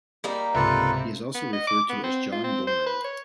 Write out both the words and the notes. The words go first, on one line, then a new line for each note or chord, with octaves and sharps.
He is also referred to as John Boman.
G3 A#3 D#4
C#2 G#2 C3 F4 A4 B4
B3
D#5
D6
B3
C4
F4
C4
C5
B4
C#5